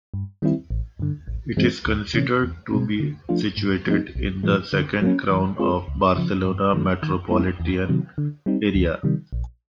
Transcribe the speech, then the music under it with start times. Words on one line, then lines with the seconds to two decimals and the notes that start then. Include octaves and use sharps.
It is considered to be situated in the second crown of Barcelona metropolitan area.
0.14 G2
0.42 D#3 G3 C4 E4
0.70 A1
0.99 G2 D3
1.28 A1
1.57 G2 E3 G#3 C4
1.86 D2
2.14 C3 E3 A3 C#4
2.43 E2
2.72 B2 G#3 C4
3.00 D3
3.29 F3 A3 D4 F4
3.57 G#2
3.87 F3 A3 C4 D#4
4.15 B1
4.43 A2 F3 G#3
4.73 D3
5.01 F#3 A#3 C#4
5.30 E3
5.59 G#3 C4 F4 G#4
5.88 C#2
6.16 C#3 F3
6.45 G2
6.74 D#3 F#3 A3
7.02 D#3
7.31 G#3 B3 E4
7.60 E2
7.89 C3 D#3 F#3
8.18 D3
8.46 G3 C4 D#4
8.75 D2
9.03 C3 D#3 G3
9.33 A#1